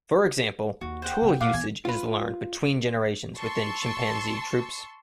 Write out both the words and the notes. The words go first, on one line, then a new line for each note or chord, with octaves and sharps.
For example, tool usage is learned between generations within chimpanzee troupes.
D#2 F#4
C5 F#5 G5
C#3 B3
A#2 F5 F#5 D6
E3 B3 G#5
F4 B4
A5 C6 C#6 E6